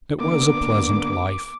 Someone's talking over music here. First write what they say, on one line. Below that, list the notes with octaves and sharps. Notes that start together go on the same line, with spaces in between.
It was a pleasant life.
D3 A#3 B3 D6